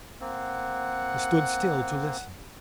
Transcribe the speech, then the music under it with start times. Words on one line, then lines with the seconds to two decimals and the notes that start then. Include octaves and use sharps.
He stood still to listen.
0.21 A#3 C4 F#5